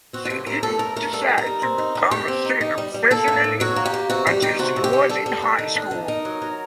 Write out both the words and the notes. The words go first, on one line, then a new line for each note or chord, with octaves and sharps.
She didn't decide to become a singer professionally until she was in high school.
C4 F#4
F#4
A2 G4
A2 A#4
A3 A4
A2 A#4
A3 A#4
G3 A4
D#4
A#4
G3
C4
D#4
D3
D3 G4
C4
D#4
D#4
G3
G3
A#3 A4
A2
A2
F#3 F#4
A#3
G4
A#3
C3 F#4
G3 G4
D#3 G4
C3 F#4
C3
G4
G3
G3 A4
G3
D4
D#3
D4
D#3
D#4 A#4
F#3
F#3